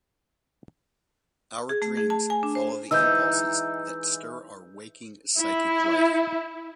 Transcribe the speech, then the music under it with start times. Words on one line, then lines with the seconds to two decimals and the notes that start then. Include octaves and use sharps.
Our dreams follow the impulses that stir our waking psychic life.
1.69 G#4
1.82 A3
1.97 G#4
2.10 A5
2.30 G#5
2.43 D4
2.55 C5
2.91 E3 G#3 D#4 E6 G6
5.41 E4